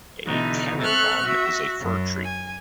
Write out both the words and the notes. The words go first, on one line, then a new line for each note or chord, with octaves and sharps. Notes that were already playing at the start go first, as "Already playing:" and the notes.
A "Tannenbaum" is a fir tree.
B2 D3 E3 D#4
C4 A4 E5 C#6 F6 F#6
F#4 E5
F#2
G#5